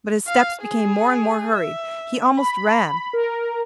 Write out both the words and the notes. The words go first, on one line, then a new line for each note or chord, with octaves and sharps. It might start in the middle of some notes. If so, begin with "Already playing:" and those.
But his steps became more and more hurried, he almost ran.
F5
G#4
E5
B5
A#4